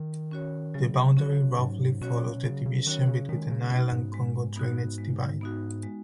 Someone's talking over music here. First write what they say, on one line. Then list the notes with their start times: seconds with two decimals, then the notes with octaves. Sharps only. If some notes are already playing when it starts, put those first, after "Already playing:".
The boundary roughly follows the division between the Nile and Congo drainage divide.
Already playing: D#3
0.31 C#4 F#4 C#5
0.74 C#3 F#3
1.17 C#3 C#4 F#4 C#5
1.59 G#2 F#3
2.01 B2 C#4 F#4 C#5
2.44 C#3 F#3
2.66 C#3
2.86 D#3 C#4 F#4 C#5
3.07 C#3
3.29 D#3 G#3
3.51 C#3
3.71 B2 B3 D#4 F#4
3.92 G#2
4.14 G#3
4.56 B3 D#4 F#4
4.98 G#3
5.41 B3 D#4 F#4
5.83 G#3